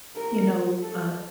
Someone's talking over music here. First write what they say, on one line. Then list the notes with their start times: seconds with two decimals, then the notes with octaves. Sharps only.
You know, uh,
0.16 A#4
0.82 A4